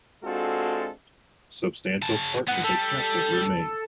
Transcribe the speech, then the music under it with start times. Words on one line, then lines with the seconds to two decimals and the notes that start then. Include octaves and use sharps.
Substantial parts of the castle remain.
0.24 G#3 C4 D4 F4 F#4 A4
2.02 C#3 A5
2.48 G#2 B3 F#5
2.64 G3 A4